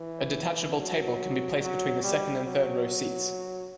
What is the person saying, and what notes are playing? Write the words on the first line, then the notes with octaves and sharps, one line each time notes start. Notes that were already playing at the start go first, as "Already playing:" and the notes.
A detachable table can be placed between the second and third row seats.
Already playing: E3
F#3
F#3
G3
F#3